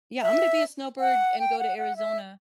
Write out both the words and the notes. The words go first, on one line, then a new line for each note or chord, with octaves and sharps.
Yeah, I'm gonna be a snowbird and go to Arizona.
E5
F#5
G5
F#5
F#5
E5